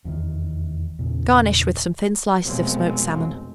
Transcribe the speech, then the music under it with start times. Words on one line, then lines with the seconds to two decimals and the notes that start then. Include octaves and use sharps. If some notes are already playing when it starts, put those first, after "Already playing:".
Garnish with some thin slices of smoked salmon.
0.05 F1 E2 B2 D#3
0.99 E2 A#2 C#3
2.45 F1 B2 F3 F#3 G#3 C4